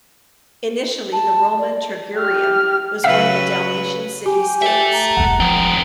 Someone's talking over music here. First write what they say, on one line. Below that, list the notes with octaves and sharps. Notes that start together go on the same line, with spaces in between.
Initially the Roman Tragurium was one of the Dalmatian City-States.
A5
D5
G4 F6
C#3 F#3 B4 E5 F5 B6
G4 G#5
A4 E5
A#5
E1 G#3 F#5
F3 B3 C4 D7